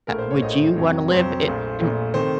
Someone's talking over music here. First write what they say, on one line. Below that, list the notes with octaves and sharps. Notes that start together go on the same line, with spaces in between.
Uh, would you wanna live i m
A#1 A2 A3 A#4
C5
C#5
A#1 A2 A3 D#5
F2 C3 F#3
F2 C3 F#3 C5
A#1 A#2 A3
A#1 A#2 A3
C3 D#3 A3 C5